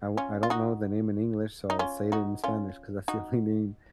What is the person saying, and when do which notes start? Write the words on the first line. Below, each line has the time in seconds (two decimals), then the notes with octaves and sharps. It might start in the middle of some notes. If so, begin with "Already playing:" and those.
I I don't know the name in English, so I'll say it in Spanish 'cause that's the only name,
0.17 C#4 F4
0.43 F4
0.50 D#4 F#4
1.70 D#4
1.79 C#4 F4
2.12 D#4 F#4
2.44 C#4 F4
3.08 D#4 F#4